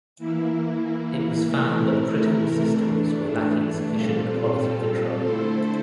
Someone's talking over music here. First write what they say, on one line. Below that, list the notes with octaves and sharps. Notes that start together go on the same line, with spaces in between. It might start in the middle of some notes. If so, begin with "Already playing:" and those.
It was found that critical systems were lacking sufficient quality control.
E3 A#3 E4
C3 E3 A3 E4 A#4
E2 E3 A3 D4
A#2 G3 C4 F4 A4
D3 A3 E4 A4 C5